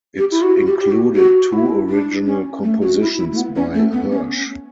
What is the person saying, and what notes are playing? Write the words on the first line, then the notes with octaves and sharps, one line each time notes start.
It included two original compositions by Hersch.
G4
E4
F#4
G4
G4
F#4
F#4
F#4
E4
D4
C#4
A3
F#4
E4
E4
A3
B3
C#4
A3
B3
C#4